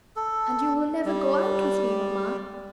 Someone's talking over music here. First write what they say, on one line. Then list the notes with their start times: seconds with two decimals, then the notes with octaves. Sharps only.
"And you will never go out with me, mamma?"
0.16 A4
1.05 G3